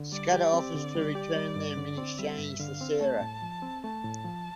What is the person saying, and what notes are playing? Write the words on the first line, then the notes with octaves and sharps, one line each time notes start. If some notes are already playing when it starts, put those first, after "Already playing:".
Scudder offers to return them in exchange for Sarah.
Already playing: D3
G3 D5
G4
C4
D3
G3
G4
G3
G2
D3
C4
G3 E5
G2
D3 F5
C4
A3 A5
A2
F3
C4
A3 A5
A2
F3